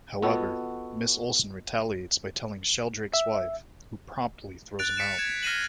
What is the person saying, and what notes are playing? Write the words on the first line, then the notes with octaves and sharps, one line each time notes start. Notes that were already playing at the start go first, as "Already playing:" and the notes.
However, Miss Olsen retaliates by telling Sheldrake's wife, who promptly throws him out.
B3 F4 F#4 A4 D#5 G5
E5
F#6 A6 D7 F7
F#6 A6 B6 C#7 D7 E7
G#6 E7
F6 A#6 C7 D#7 E7 F#7